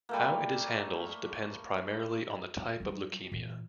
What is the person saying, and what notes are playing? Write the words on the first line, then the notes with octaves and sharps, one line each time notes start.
How it is handled depends primarily on the type of leukemia.
G3 A3 A#3
F#3 G3
A#2 E3